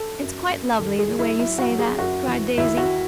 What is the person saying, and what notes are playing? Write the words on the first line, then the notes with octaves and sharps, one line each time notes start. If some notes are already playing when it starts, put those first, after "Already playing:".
"It's quite lovely, the way you say that!" cried Daisy.
Already playing: A4
F#2
F#2
D#2 A4
G#4
F#3
E4
F#3 E4
F#4
F#3
G#4
F#2 F#4
E3
D#2 E4
F#4